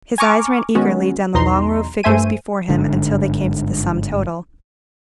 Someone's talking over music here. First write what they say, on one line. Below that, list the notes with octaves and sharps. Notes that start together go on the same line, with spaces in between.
His eyes ran eagerly down the long row of figures before him until they came to the sum total.
G#5 A#5 C#6 D6 F6
D#3 G#3 B3 C#4 F#4
B1 E2 D#4 A#5 C6
G2 A3 C5 E5 G#5 D#7
G1 G#2 D3